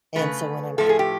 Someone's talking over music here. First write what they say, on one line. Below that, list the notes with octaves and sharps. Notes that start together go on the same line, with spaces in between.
And so when I'm pl
C#3 F3 A3 B4
A2 F3 A3 A4
G#4
G4